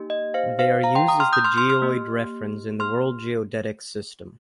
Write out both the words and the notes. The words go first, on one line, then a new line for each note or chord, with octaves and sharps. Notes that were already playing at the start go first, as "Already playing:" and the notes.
They are used as the geoid reference in the World Geodetic System.
Already playing: A#3 D#4 G4
D#5
C5 F5
C5 F5
F5 A#5
G5 C6
A#5 D#6
C6 F6
D#6 G6
C6 F6
C6 F6
C6 F6
A#3 G4
C6 F6